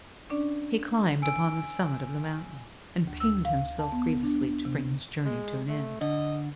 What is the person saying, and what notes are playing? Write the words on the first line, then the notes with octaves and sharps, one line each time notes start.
He climbed upon the summit of the mountain, and pained himself grievously to bring his journey to an end.
C#4 D4 D5
G#5 E6 D7
D2
E6
F5
A5
B3
D4
C3
G#3
A3
D3 D#5